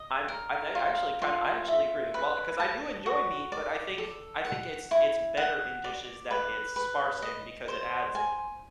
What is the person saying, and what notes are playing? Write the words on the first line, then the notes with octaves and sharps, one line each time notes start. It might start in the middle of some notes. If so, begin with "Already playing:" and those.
I I think I actually kinda I actually agree, well, 'cause I do enjoy meat, but I think I think it's it's better in dishes that it's sparse in because it adds
Already playing: D#5
A#4
F4
F4
E5
B4
A5
F#4
D5
A4
F#5
E4
F#5
D5
B4
B4
D#5
C5
G#5